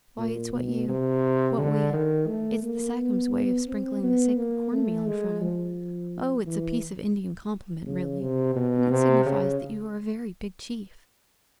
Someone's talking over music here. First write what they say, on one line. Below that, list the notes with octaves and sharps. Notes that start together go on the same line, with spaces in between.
'Why it's what you--what we--it's the Sachems' way of sprinkling the sacred corn-meal in front of--oh! it's a piece of Indian compliment really, and it signifies that you are a very big chief.
A#2
B2
C3
D3
D#3
A3
A#3
B3
C4
B3
A#3
A3
G#3
F3
E3
C#3
C3
B2
C3
C#3